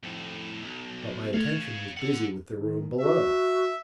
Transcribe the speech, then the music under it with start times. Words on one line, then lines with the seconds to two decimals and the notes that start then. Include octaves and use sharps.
But my attention was busy with the room below.
0.03 F2 A2
0.63 B1
1.34 A3 C#5 F5 A6
1.97 A4 F#5
2.56 D#3
3.00 F#4 E5